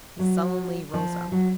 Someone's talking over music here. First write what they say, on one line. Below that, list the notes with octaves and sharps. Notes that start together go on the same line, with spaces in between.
He sullenly rose up.
F#3
F3
F#3